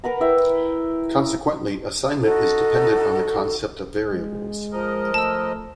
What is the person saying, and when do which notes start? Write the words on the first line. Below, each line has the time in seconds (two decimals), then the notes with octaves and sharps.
Consequently, assignment is dependent on the concept of variables.
0.04 A#4 B4 F#5 A#5
0.20 E4 E5 G5
2.22 D#4 F#4 A4
4.11 G#3
4.72 F3 A#4 D#5
5.14 A3 A5 E6